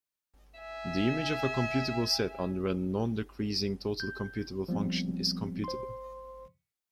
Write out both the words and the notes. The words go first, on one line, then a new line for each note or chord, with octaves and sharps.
The image of a computable set under a nondecreasing total computable function is computable.
E5 G#5
G6
F3 G3 B3 C4
C5 C6